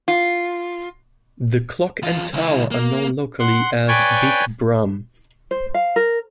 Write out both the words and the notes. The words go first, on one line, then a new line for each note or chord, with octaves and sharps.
The clock and tower are known locally as, "Big Brum".
F4
E2 F4
C#2 E4
A#3
F#5 C6
B4 C#5 D5 G5 G#5
C5
F5
A#4